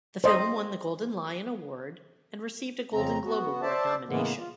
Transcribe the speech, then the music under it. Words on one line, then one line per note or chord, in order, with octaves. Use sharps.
The film won the Golden Lion award and received a Golden Globe Award nomination.
C5 D#5
F2 C#3 C4 A#5
B3 F#4
C5 D5 E5 A5
A2 C#3 E3 G#3 A#3 B3
F4